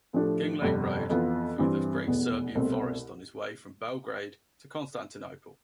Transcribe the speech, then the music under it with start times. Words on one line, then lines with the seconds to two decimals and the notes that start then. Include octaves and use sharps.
Kinglake rode through the great Serbian forest on his way from Belgrade to Constantinople.
0.13 A2 F3 A3 D4 G4
0.62 G1 F2 C3 G3
1.10 F2 E3 B3 F4
1.58 G2 E3 G3 C4
2.07 F1 E2 B2 B3
2.55 C2 B2 A3 C4